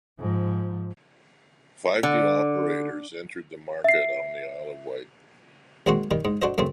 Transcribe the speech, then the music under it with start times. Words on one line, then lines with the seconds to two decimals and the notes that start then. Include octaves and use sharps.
Five new operators entered the market on the Isle of Wight.
0.19 G#2 F3
2.03 D3
3.84 E5 C7
5.86 D#2 G#3 C4 D#4 F#4
6.11 D#3 G3
6.25 G#2
6.42 D4 F#4 A4 C5 D#5
6.58 F#2 C#3 A3 C4